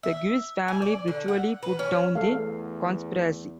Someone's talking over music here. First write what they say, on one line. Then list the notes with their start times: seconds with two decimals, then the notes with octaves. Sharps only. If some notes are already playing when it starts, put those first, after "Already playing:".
The Guise family brutally put down the conspiracy.
0.03 E5
0.68 G#5
0.82 D5
1.08 D3
1.28 F#5
1.63 B4
1.79 C#4
2.15 E2 A3 A4 E5 F5